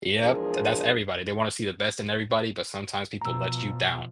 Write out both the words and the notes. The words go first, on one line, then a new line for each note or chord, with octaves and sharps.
Yep, tha that's everybody, they wanna see the best in everybody, but sometimes people let you down.
E2 F3 G#3 D4 G#4 A#4
B2 F3 A#5 E6